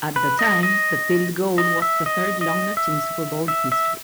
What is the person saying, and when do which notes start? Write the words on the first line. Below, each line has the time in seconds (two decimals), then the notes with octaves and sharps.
At the time, the field goal was the third longest in Super Bowl history.
0.16 B4
0.39 D#5
0.63 D#5
1.58 D#5
1.82 E5
2.06 D#5
2.41 D#5
2.77 E5
3.48 E5
3.72 E5